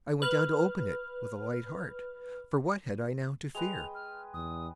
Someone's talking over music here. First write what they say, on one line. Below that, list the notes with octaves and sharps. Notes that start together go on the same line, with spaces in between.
I went down to open it with a light heart,--for what had I now to fear?
B4 F6
G#3 B4 G5 F7
F6
E2 D#6